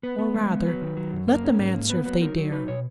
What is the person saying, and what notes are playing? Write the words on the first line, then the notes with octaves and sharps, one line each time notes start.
Or, rather, let them answer if they dare.
B3 B4
B3
G#3
B3
F#3 B4
D#3
F#3
F#2
A#3 A#4
C#4
G#2
A#3
B3 B4
F#3 B4
D#4 A#4
F#3
D#4 B4
B2 C#5